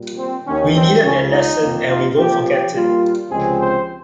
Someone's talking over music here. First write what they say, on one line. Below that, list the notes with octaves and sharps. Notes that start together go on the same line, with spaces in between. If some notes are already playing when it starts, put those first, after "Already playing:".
We needed that lesson, and we won't forget it.
Already playing: A#2 G3
C4
D#2 D#3 A#3 C#4
C4
C#2 C#3 F3 C#4
D#4
F2 D#3 A#3
F4
A#2 F3 C4 G4
G4
A#2 G3 A#3 F4
C#2 C3 F3 G#3 C4 G#4
C5